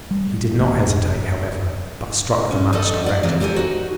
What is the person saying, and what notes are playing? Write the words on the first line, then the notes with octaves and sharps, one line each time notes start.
He did not hesitate, however, but struck the match directly.
G3
A1 A#3
F1
C#4
D#4 A4 D5 D#5
A#4 D5 F#5
C#3 E3 G#3 C4 F4 A#4
G4 A4 A#4 C5 G#5
D#4 F#4